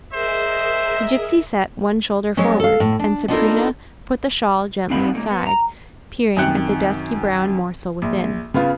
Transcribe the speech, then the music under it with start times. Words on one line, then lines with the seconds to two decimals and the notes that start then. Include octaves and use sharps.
The gipsy set one shoulder forward, and Sabrina put the shawl gently aside, peering at the dusky brown morsel within.
0.13 G#4 A#4 C5 D#5 E5
2.37 F#3 G#3 B3 C#4
2.60 A4 F5
2.80 A2
2.99 D4
3.28 B3 D4 D#4 F4 A4 A#4
4.90 C4 D4 D#4 F5 F#5 B5
5.13 C#2 A3 A#3
5.31 B3
5.47 A#5
6.37 F#2 C3 D#3 G5 F#6 C#7
8.02 A#1
8.54 C#3 B3 F4